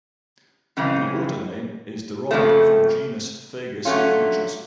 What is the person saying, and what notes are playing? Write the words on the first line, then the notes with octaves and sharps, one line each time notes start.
The order name is derived from genus "Fagus", beeches.
F#2 C#3 E3 G#3 C4
F2 C#3 F3 A3
D3 F#3 A3 C#4 F4